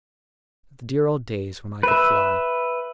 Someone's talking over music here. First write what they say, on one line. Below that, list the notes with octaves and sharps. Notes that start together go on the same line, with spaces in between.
"The dear old days when I could fly!"
B4 E5